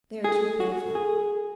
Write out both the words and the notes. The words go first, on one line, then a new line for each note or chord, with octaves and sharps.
They are too pitiful.
G#4 A4
F#4
G#4